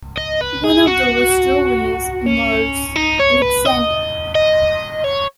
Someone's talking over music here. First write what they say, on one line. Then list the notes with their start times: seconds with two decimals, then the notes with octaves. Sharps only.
One of those stories involves Alexander.
0.18 D#5
0.41 B4
0.64 G#4
0.87 F#4
2.26 C#4
2.96 D#4
3.19 C#5
3.42 B4
3.65 D#5
4.35 D#5
5.04 C#5